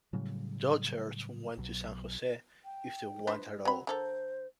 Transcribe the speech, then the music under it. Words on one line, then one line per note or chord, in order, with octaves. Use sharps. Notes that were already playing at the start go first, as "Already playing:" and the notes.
Daughters went to San Jose, if they went at all.
A2 C#3 F#3 G3
B1 B2 F#3
G5
D4 B4 C5
F#3 C4 B5
D3 A4 A#4 C5